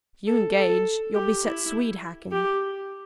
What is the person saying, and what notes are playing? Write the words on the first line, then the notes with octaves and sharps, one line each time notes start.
If you engage, you'll be set swede-hacking.
A4
A4
G4
E4
G4